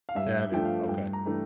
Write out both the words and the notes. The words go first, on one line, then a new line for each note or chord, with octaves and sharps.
Salmon, okay.
F5
G2 E5
F3 A3 D4 G5
F5
G2 G5
A#5
E3 A3 D4